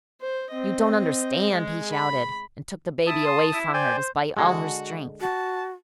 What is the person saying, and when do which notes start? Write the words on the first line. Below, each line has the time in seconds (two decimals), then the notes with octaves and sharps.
"You don't understand!" he shouted, and took the baby away from her, despite all her strength.
0.21 C5
0.50 C4 D#5
1.51 G#3 G#4
1.92 B5
3.07 E4 A5 D#6
3.25 C6
3.53 E4
3.74 C5 D5 G5 G#5
4.37 D3 G#3 F#4
5.21 F#4 A5